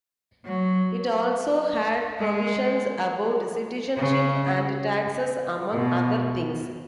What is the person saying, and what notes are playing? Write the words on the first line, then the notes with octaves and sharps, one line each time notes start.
It also had provisions about citizenship and taxes among other things.
F#3
G#3
C#3
B2